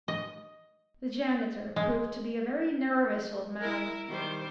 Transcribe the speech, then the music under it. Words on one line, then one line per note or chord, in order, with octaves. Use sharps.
The janitor proved to be a very nervous old man.
D#5
G#3
E4 A#4
D#3 G3 C5